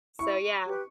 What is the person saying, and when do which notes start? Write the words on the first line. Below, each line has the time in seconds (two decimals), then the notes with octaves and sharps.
So, yeah.
0.19 E4 C#6
0.65 G4 B4